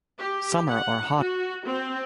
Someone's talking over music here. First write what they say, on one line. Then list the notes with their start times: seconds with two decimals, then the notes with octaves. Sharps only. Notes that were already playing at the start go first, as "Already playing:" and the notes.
Summer are hottest in month of May and June.
0.18 G4
0.70 F#5
1.18 F#4
1.64 C4